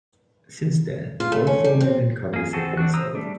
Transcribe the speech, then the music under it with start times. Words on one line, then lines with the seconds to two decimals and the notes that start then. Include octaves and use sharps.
Since then, over four million copies have been sold.
1.20 F4
1.32 A3
1.47 C#4
1.64 G3
1.81 C4
2.34 A#3 G#4
2.53 C4 F#4 G#4 A4
2.77 C4 D4 F#4 F#6
2.94 C5 A#5 D#6 E6
3.15 G3 A3 D4